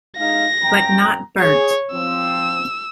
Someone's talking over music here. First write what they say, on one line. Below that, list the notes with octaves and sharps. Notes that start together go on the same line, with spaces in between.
But not Bernt.
G#3 D#4 F5 A#6
F#2 G5 A#5
G#4 C#5
F3 C4 E6